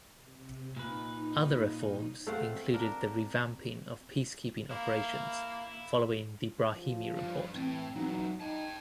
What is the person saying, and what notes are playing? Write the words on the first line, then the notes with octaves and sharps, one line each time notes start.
Other reforms included the revamping of peacekeeping operations following the Brahimi Report.
C3
A#2 D#4 B4
A3 C4 F5 F#5
D4 A#4
A#3 E4
F3
G2
A2 E3 C4
E2 E3 F#3 D#4
D#4 G5 A5 G#6